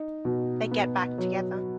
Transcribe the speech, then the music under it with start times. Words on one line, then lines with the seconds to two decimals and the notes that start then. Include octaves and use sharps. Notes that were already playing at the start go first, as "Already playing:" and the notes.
They get back together.
Already playing: D#4
0.25 B2
0.71 B3
1.18 F#3